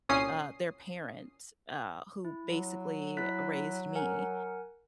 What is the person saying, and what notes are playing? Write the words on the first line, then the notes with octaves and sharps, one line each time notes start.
uh, their parent, uh, who basically raised me,
C2 A#2 C#4 D#6 C7
E4
F#3
E4 F#6 B6
A#4 F#5 G#5